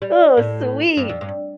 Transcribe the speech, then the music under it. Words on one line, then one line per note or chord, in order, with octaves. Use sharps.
Oh, sweet.
G3
A2
G2
F2
G2